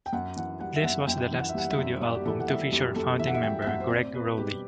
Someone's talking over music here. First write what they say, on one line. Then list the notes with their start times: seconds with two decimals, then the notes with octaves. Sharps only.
This was the last studio album to feature founding member Gregg Rolie.
0.06 G5
0.13 F#2 F#5
0.36 E3 F#5
0.60 G3 F#5
0.76 E5
0.84 F#2 F#5
1.07 F#2 G5
1.31 E3
1.39 F#5
1.49 E5
1.55 G3 F#5
1.70 E5
1.78 F#2
2.01 F#2 D5
2.15 G4
2.25 E3 A4
2.40 F#5
2.48 G3 E5
2.72 F#2 G4
2.96 F#2 A4
3.19 E3 E5
3.27 F#5
3.34 E5
3.43 G3 G5
3.62 E5
3.67 F#2 F#5
3.80 C5
3.90 C4 D5
4.14 B2 B4
4.37 G3 G4